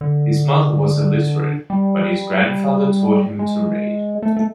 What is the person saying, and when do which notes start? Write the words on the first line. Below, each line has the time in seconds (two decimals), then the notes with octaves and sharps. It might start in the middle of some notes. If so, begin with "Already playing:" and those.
His mother was illiterate, but his grandfather taught him to read.
0.01 D3
1.70 G3
3.39 G#3
4.22 A3
4.37 A3